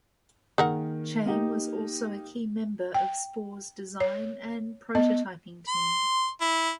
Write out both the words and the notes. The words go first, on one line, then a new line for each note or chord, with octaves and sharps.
Chaim was also a key member of Spore's design and prototyping team.
D#3 A#3 G#4 A#4 F#5
A#3 D#4 G4
G5
C#5
B3 D#5
C6
E4